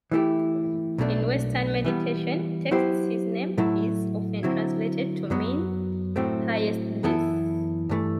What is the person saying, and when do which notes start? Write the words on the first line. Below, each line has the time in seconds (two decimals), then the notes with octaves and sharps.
In Western meditation texts his name is often translated to mean "Highest Bliss".
0.11 E3 A3 E4 G4
0.98 B1 B2 A3 D4
1.84 E3 G3 B3
2.71 F#3 B3 E4 G4 C5
3.58 A2 F#3 A3 E4
4.43 D3 F#3 C4 E4
5.30 F#2 F#3 B3
6.16 A2 F#3 A3 C4
7.03 F#2 E3 B3 E4 A4
7.89 G2 E3 A3